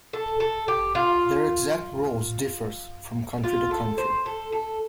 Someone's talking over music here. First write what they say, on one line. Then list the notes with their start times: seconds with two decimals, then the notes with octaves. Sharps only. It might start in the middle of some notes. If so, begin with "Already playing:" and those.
Their exact roles differs from country to country.
0.13 A4
0.40 A4
0.68 G4
0.95 F4
3.44 F4
3.71 A4
3.98 C5
4.26 A4
4.52 A4